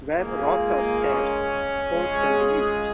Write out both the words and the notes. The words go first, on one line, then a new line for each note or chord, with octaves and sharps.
Where rocks are scarce poles can be used.
G#3 A#3 F4 G#4
A#3
A#3
C#4
G#3 F4 G#4